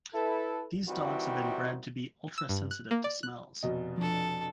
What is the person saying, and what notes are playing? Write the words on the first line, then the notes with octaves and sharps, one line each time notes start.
These dogs have been bred to be ultra sensitive to smells.
E4 A4 B4
D#3 E3 G3 C4 E4 F#4
E6
G2
F#6
A#3
D5
F#6
F1 B2 D#5
F3 D4 A4